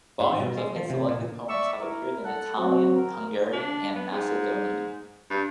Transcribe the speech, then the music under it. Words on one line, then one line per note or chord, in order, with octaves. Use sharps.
Volumes of his selected poems have appeared in Italian, Hungarian and Macedonian.
G#2
B2
G#3
F3
C3
A#2
D5 E5 C#6 E6
E4 A#4
A4 F#5
F#3 C4 F#4
A#4
D4
B3
G#2
G2